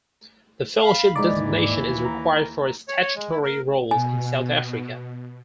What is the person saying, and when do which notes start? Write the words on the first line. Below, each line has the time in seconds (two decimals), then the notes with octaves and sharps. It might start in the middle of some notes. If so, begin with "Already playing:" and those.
The Fellowship designation is required for statutory roles in South Africa.
0.81 F5 B5
1.16 D#2 G#2 E3 D#4 D5
2.05 A#5
2.88 C#5
3.02 C#5
3.16 G#3
3.31 E4
3.43 A#4
3.91 B2 G#5